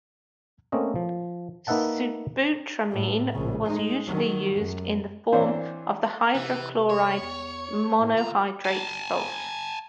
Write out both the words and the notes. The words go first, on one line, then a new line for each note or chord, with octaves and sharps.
Sibutramine was usually used in the form of the hydrochloride monohydrate salt.
A3 A#3 C4 C#4 D#5
F3
A#3 D#4 B4 E5 F#5 A5
A2
A#1 C#3
G#3 D#4
D#3 F#3
F#2
E3 C4 D4 C5 C#5
C3 E3
C#5
E2
A2
D2 F4 A#5
G#5 A5